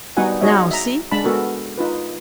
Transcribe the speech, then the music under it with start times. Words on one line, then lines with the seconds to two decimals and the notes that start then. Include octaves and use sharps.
Now, see!
0.17 G3 B3 D#4 F#4 F#5 G#5
0.41 D#4 F#4 G#4 C#5 D#5 E5
0.71 E5 A#5
1.11 G#3 D4 A5 B5
1.24 B3 F#4 A4 A#4
1.78 D#4 F4 B4